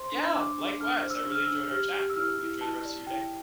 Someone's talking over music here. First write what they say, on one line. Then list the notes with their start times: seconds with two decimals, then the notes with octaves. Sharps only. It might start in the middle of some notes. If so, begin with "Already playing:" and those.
Yeah! Likewise, I really enjoyed our chat. I hope you enjoy the rest of your day.
Already playing: C5 C6
0.12 D4
0.34 D4 D6
0.58 D4
0.80 D4 F6
1.03 C5
1.10 E6
1.26 D4
1.32 F6
1.40 E6
1.48 D4
1.71 G4 F6
1.94 G4
2.10 E6
2.16 E4 F6
2.39 E4
2.61 E4 A5
2.85 D5
3.07 E4 G5